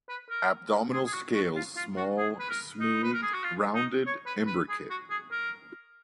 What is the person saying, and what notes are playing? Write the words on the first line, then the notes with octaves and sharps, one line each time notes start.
Abdominal scales small, smooth, rounded, imbricate.
B4
A#4
G#4
G#4
F#4
F#4
F4
F4
F#4
G#4
B4
A#4
D#4
B4
A#4
G#4
F#4
F4
D#4
C#5
B4
B4
G#4
F#4
G#4
A#4